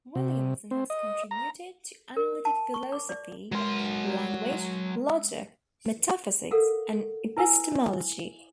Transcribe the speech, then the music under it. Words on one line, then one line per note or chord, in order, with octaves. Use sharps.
Williamson has contributed to analytic philosophy of language, logic, metaphysics and epistemology.
C3
C4
D#5
A#5
A#4
A5
C#6
D6
D5
F#3 G#3 A#4 C#5 C6
A4 A#4 F5 F#5
E4 B4 E5 G#5 E6